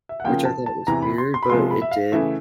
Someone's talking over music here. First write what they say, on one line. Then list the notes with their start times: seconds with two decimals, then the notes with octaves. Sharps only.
which I thought was weird, but it did.
0.09 E5
0.20 F#5
0.24 C#3 F3 A#3 G5
0.45 A5
0.66 A5
0.87 E2 C3 E3 A#5
1.03 B5
1.18 C6
1.34 C6
1.43 B5
1.50 C3 F3 G#3 B3 C6
1.71 B5
1.82 E5
1.91 F5
2.12 C#3 E3 A3 E5